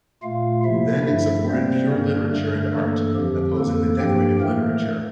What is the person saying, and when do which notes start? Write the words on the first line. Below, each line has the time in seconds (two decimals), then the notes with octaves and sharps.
Then it supported pure literature and art opposing the decorative literature.
0.22 A#2 A3 F4 F5
0.64 C3 F3 A#3 E4 E5
1.06 G2 F3 A3 E4 E5
1.48 C3 G3 A#3 C4 C5
1.90 G2 D3 G3 A#3 A#4
2.32 G2 D3 A3
2.73 G2 E3 A#3 A4
3.15 F2 D3 F3 G4
3.57 F2 E3 A#3 A4
3.98 G2 F3 A#3 G4 G5
4.40 A2 E3 A3 A#3 A#4